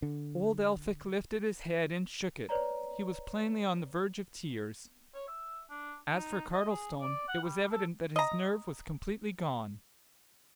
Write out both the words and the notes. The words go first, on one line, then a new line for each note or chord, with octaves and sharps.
Old Elphick lifted his head and shook it; he was plainly on the verge of tears; as for Cardlestone, it was evident that his nerve was completely gone.
D3
B4 C#5 D5 A#5
C#5
E5
D4
D#4
D#5
G#4
D5
F#5
G3
A4
D#5 A#5